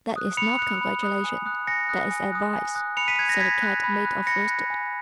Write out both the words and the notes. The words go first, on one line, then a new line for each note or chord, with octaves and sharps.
"That is not congratulation; that is advice," said the Cat-made-of-worsted.
D#6 F#6
B5 C#7 F7
D#6 F#6
B5
D#6 F#6
G#5
D#6 F#6
G#5 A#6 C#7
D#6 F#6
G#5
D#6 F#6
G#5
D#6 F#6
B5 C#7 F7
B6 D#7
F#6 G#6
A#6
B5 G#6 B6
F#6
B5
F#6
B5 A#6 C#7
F#6
G#5